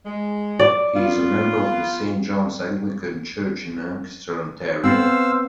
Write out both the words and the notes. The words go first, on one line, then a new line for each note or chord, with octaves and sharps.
He is a member of the Saint John's Anglican church in Ancaster, Ontario.
G#3
D5
B3 F4
B3 C4 C5 F5 E6